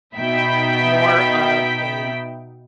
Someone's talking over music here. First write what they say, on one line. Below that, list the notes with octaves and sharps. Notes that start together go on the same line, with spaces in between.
more of a,
B2 D#4 E5 G5 B5 B6